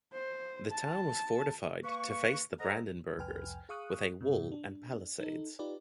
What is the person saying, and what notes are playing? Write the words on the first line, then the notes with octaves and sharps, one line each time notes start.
The town was fortified to face the Brandenburgers, with a wall and palisades.
C5
A5
A#3 B4 C#6
A4 C5 D#5 F#5 A#5
C2 F2 B4 G5 G#5 F6
G#4 F5 C#6 D#6 F#6
G2 C3
D4
D#4 A4
D#4 F4 G4 B4 D5